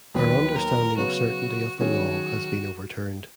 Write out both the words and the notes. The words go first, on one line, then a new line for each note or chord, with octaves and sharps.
Our understanding of certainty of the law has been overturned.
D#2 D#3 F#3 B3 B4
A#4
C#3 F#3 B3 F#4
D#3 F#3 C#4 F#4 G#4